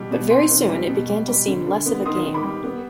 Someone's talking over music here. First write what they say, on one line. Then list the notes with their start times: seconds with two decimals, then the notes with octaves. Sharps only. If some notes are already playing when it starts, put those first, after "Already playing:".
But very soon it began to seem less of a game.
Already playing: B2 G3 D6
0.11 B2
0.30 C4 G#5 C6
0.49 D#3
0.69 G3
0.88 B2
1.09 G3
1.28 G3
1.47 D3
1.67 D3
1.86 B3
2.06 D#3 C6 D#6
2.25 D#3
2.34 B5 D6
2.44 G3
2.63 B3